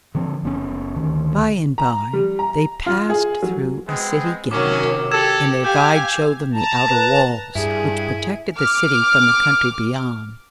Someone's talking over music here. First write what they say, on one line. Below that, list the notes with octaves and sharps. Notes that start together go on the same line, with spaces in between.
By and by they passed through a City gate and their guide showed them the outer walls, which protected the City from the country beyond.
D3 F3 C4
F#1 B3 C#4
D2 D#3
A#5
G3
A#5
F4
G#4
F#3
G#3 B3 C4
C3 D#3 F#3 A#3 C#4 D6
G4 A4 E6 G#6 E7
G4 F5 G#5 G6
A5 A#5
B4
G2 E4 G#4
D6 F6